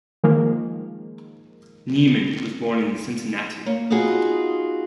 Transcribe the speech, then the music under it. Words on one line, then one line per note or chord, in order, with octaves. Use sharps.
Nieman was born in Cincinnati.
D#3 F3 G#3 A#3
A#3 C#5
B3 D#4 F4 F#4 G#4